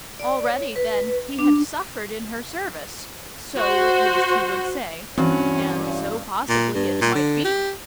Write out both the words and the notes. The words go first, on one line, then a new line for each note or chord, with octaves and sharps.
Already, then, he had suffered in her service--so at least he would say, and so possibly it might be.
D5
C#5
B4
D4
F#4 C5
G2 E3 C4 C#4 F#4
A#2
G2
A#2
D3
G4